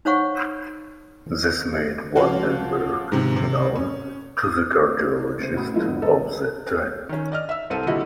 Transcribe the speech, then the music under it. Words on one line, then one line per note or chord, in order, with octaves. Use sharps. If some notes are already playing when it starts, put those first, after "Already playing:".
This made Van den Berg known to the cardiologists of that time.
D#4 C5 C#5 F5 F#5 C#6
F3 C#4 F4 F#4
G#2 C3 D#3
C3
C#4
D#6
C3 C5 D#7
A1 F#4 B5 D#6
F3 G#3 A#3 C#4 E4 F4
G#1 E2 D3
A4 D#5 A#5 E6
D#3 C#4
D5 D#5 F6
E5 E6
C2 C4 A4 D#7
A#2 D3 G3 E4 F#4 D#5